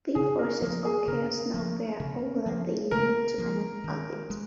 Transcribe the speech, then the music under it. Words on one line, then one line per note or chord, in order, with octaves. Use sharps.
The forces of Chaos now bear all that they need to unearth it.
C#3 G#4
A#4
F3 A#3 A#4
G#4
C#3 A#4
F3 A#3
C#3
F3 A#3
C#3 A#4
F3 A#3
D#3
G#3